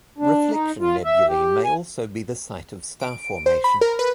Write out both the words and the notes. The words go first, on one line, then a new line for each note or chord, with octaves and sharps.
Reflection nebulae may also be the site of star formation.
D4
D#4
F4
E5
G4
G#5
D7
C5
B5
A#4
B4